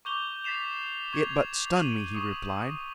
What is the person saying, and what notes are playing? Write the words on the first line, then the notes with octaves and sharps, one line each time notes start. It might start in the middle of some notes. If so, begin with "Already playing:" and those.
"It but stunned me," he replied.
C#6 D6 G6 F7 G7
A6 B6 C7 E7 F7
C#6 G#6 E7 F7
D#7 F#7
C#6 D#6